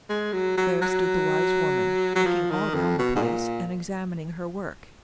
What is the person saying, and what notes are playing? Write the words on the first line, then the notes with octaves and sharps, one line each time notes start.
There stood the wise woman, looking all round the place, and examining her work.
G#3
F#3
F#3
F#3
F#3
F3
D#3
F2
B2
G#2
A#2